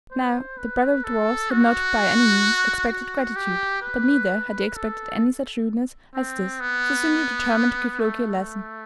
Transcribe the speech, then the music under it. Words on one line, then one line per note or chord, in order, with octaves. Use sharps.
Now the brother dwarfs had not by any means expected gratitude, but neither had they expected any such rudeness as this, so Sindri determined to give Loki a lesson.
C5
B4
A4
F#4
F#4
G4
B4
A4
C4
B3
A3